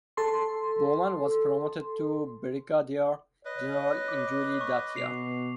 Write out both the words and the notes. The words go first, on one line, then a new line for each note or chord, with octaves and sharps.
Bowman was promoted to brigadier general in July that year.
A4 C6
B4 C#5 D#5
D6
C#6
B2 C7 F7